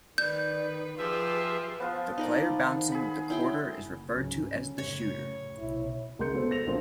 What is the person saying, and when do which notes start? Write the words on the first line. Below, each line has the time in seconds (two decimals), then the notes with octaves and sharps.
The player bouncing the quarter is referred to as the shooter.
0.18 D#3 B4 D5 G6
0.98 F3 F4 G4 G#4 B4 E5
1.80 F3 B3 F4
2.18 D#4 A#4 D5
2.60 D#3
2.92 G#4 B5
3.30 F#3 E4 G5 C6
3.81 F#1
4.13 C#2 G#2 F#3 C#4
4.47 D3
4.78 F#2 A2 C#3 C#5
5.59 B1 C3 E4
6.19 C#2 A#4 C6 G6 C#7
6.33 B3 F#4 A4 C5
6.51 A#6 F7
6.67 A#1 F3 C4 A#4 C5 C6